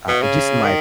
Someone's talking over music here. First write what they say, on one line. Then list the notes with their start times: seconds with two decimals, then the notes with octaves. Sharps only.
uh, just in my opinion,
0.09 B2
0.22 C#3
0.64 D#3